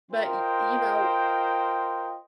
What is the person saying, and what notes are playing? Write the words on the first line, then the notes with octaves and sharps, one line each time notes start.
But y you know,
F4 A#4 C5 D#5 G5